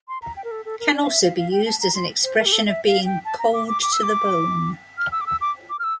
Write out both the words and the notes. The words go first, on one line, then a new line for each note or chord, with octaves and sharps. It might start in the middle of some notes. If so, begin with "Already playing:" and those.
Can also be used as an expression of being "cold to the bone".
C6
A#5
G5
A#4
A4
A4
A#4
D5
F5
E5
F5
F5
G5
A5
A#5
C6
C5
A#4
G4
A4
E5
F5
G5
A5
A#5
D6
D6
D6
E6
D6
F6
E6
D6
E6
D6
D6
F6
E6